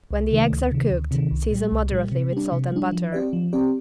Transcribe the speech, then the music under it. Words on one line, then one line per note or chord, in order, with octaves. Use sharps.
When the eggs are cooked season moderately with salt and butter.
C2
C3 D#3 A3
D2
C3 D#3
D2
C3 D#3
C2
A#2 G3
C2
A#2 G3
C3
G3 D4
C3
G3 D4
F3
C4 G4 D5
F3
C4 G4 D5